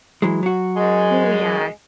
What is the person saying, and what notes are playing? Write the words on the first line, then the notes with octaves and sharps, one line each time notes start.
Ooh, yeah.
E3 F#3 G#3
F#3 F#4
F#2 G#3